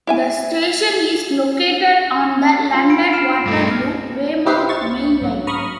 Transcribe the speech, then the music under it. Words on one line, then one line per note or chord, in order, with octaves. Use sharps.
The station is located on the London Waterloo-Weymouth main line.
E4 E5 G#5
F4
B5 D7
F6 C7 E7
G2 A3
E4 G4 B4 C5 E5 F5
C#6 A6
G#2 F#3
A#5 B5 C#6 D#6 F6